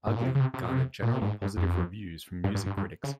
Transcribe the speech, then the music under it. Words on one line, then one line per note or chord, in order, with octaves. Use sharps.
"Ugly" garnered generally positive reviews from music critics.
G#2
A#2
C3
C#3
C3
C3
A#2
C3
A#2
C3
G2
G#2
G2
F2
G2
G2
G2
G2
C#3